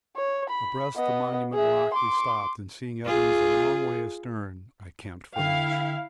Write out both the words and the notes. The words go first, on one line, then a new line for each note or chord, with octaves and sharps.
Abreast the Monument Rock we stopped, and seeing Evans a long way astern, I camped for lunch.
C#5
B5
B3 D#5
G#4 E5
C6 D6
F4 G#4
D3 E4 F5 G5